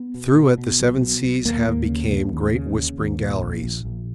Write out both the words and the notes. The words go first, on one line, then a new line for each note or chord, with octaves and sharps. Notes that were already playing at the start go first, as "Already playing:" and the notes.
Through it the seven seas have became great whispering galleries.
Already playing: B3
B2
B2
B2
B1
B2
B1
D#2 A#3
D#2
C#3
C#3
D#2
C#3
C#3
D#2
A#2
A#1
A#1
A#1